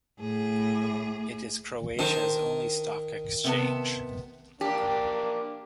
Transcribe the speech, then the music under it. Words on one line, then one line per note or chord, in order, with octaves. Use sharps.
It is Croatia's only stock exchange.
A2 G#4
D#3 D4 C5 A#5
C3 B3 A5
A#3 D4 G4